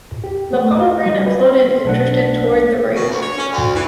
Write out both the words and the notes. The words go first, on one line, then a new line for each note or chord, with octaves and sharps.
The pomegranate floated and drifted towards the right.
G4
A3
F#4
G3
B4
C6
B1 D4 F#5
B2
D2
C#5
C#4
D2
E3